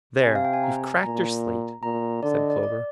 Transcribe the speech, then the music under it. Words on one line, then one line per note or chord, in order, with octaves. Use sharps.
"There, you've cracked your slate," said Clover.
C3 G#5
F5
G5
G#5
A#5
G#5
A#2 A#5
A#2 A#5
D3 D5
D#5
D5
D5